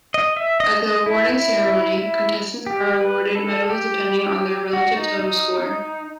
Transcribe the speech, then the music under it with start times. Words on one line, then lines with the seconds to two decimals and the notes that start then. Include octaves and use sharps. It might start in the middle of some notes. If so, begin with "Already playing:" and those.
At the awarding ceremony, contestants are awarded medals depending on their relative total score.
0.14 D#5
0.37 E5
0.60 D#5
0.82 D#5
1.06 E4
1.29 E4
1.98 E4
2.66 G4
3.01 B4
3.35 A4
3.70 G4
4.73 F#4
4.96 D#4
5.20 D#4